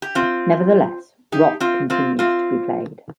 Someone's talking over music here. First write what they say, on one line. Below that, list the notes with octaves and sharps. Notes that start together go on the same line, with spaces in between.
Nevertheless, rock continued to be played.
G4
C4 F4
D#4 G4
C4 F4
C4 F4
C4 F4